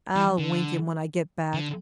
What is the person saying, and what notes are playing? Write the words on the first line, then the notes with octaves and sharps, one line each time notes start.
I'll wink him when I get back.
E3
D3
D3